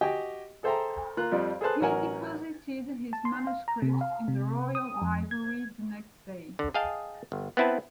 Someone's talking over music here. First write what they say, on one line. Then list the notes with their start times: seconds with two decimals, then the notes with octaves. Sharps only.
He deposited his manuscripts in the Royal Library the next day.
0.01 F#4 G4 D#5 G5 G#5
0.63 G#4 A4 C5 E5 G5 A#5
1.17 A#3 F4 A#5 F#6
1.32 F2 F3 G3 F4 D5
1.61 G#4 A4 B4 C5 A5 F#6
1.80 A1 F#3 C#4 A#4 F#5 G#5
3.13 A5
3.25 C6
3.47 F5
3.68 A#5
3.82 C3
4.01 F5
4.28 C3
4.75 D#6
5.02 F2
5.31 G#6
6.59 D3
6.74 G#4 D#5 F5 G5 A5
7.32 G1
7.57 B3 C4 E4 B4 A5